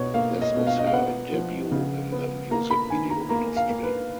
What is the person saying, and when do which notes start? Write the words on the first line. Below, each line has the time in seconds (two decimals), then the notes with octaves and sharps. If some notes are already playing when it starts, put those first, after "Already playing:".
This was her debut in the music video industry.
Already playing: B2 C#5
0.14 A#3 F5
0.41 D#5
0.54 B2
0.67 F5
0.79 D#5
0.86 F5
0.93 B3 F#5
1.32 F3
1.72 C#3
2.12 B3
2.51 A#3 A#5
2.71 B5
2.90 D#3 G#5
3.10 A#5
3.29 A#3 A#5
3.57 F5
3.70 A#3
3.83 B4